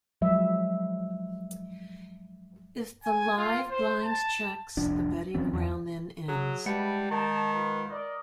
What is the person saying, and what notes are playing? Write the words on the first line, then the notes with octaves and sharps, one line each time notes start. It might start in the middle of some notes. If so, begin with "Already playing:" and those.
If the live blind checks, the betting round then ends.
F3 F#3 G#3 E5
G#5
F4
C5
A5
F1 C2 F3 D4
D#2 E3 C4 C#4
E2 E3
F#3 G#4
G3 G#3 E4 B4 F#5 A5 C#7
D#3 A5 A#5
F4 B4
A#4 D5 D#5